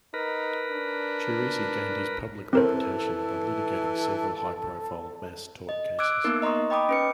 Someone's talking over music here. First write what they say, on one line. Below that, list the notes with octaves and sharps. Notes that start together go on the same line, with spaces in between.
Ciresi gained his public reputation by litigating several high-profile mass tort cases.
D#4 A#4 B4
D4
E3 C4 A4 A#4 C5
D#5
D6 E6 F#6 G#6 D7
A#3 B3 D#4 A#4
D#5 A#5 C6 C#6 D#6
D#5 G5 B5 D6 D#6
C#4 B4 C#7